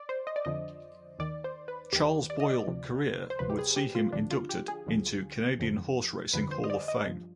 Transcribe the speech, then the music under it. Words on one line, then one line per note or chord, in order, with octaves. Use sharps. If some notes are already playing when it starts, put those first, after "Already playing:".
Charles Boyle career would see him inducted into Canadian Horse Racing Hall of Fame.
Already playing: D5
C5
D#5
D5
F2 D3 F3 D#5
D#2 D#3 D5
C5
B4
D#2 D#3 G4
D5
D#5
D5
D2 C3 F3
C5
D2 C3 F3 B4
G4
G#4
G4
F4
D2 D3 F3 D4
F4
G4
G#4
D2 D3 F3
F2 D3 F3
F2 D3 F3 B4
C5
D#5
D5
D#5
G2 F3